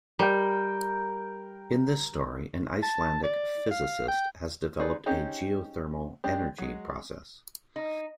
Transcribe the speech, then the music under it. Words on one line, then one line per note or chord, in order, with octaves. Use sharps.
In this story, an Icelandic physicist has developed a geothermal energy process.
G3 A#4 G5
A5
D5
F5
G5
D#4 G#4 B4 D5
C4 C#4 D#4 G4 G#4
G#3 D4 G4
F#3 G#3
D#4